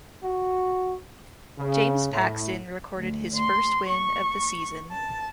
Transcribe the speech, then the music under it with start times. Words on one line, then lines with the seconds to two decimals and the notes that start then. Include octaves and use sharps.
James Paxton recorded his first win of the season.
0.23 F#4
1.59 C#3
2.13 A2
2.98 D2
3.35 C6
3.89 C#6
4.90 A5